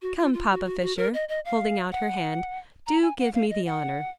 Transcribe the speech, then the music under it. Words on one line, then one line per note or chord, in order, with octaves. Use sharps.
"Come, Papa Fisher," holding out her hand, "do give me the honor."
F#4
F4
F4
F#4
F#4
F#4
A#4
D#5
D#5
F5
F#5
A#5
G#5
F#5
F5
D#5
F#5